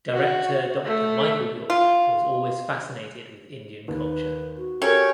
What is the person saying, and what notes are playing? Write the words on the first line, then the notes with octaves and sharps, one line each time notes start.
Director Doctor Michael Yorke was always fascinated with Indian culture.
F#4
A3
F4
D#2 B4
F#4
C#4 G4 A4 A#4 C#5 G5